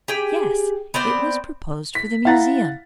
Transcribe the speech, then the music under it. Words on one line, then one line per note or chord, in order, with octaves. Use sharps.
"Yes; it was proposed for the Museum."
G4 G#4 G5
B3 C4 C5 D5
B6
E4 F5 F#5 A#5 A6 B6